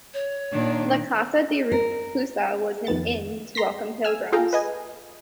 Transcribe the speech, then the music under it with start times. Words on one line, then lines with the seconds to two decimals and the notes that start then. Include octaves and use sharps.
La Casa de Reclusa was an inn to welcome pilgrims.
0.14 C#5
0.51 A#2 D#3 D4
1.72 A#4
2.87 F2 D#3 B3 A6
3.55 A#5 C6 A#6 B6
4.04 G#5 E6 F6
4.32 F4 G#4 A4 F5 G5 A#5
4.53 B4 D#5 G#5